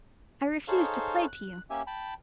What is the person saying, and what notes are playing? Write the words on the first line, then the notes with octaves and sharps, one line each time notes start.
I refuse to play to you!
D#4 G#4 A4 C5 C#5 F5
F#6
A#3 C#4 G4 E5 G#5
G5 A5 B5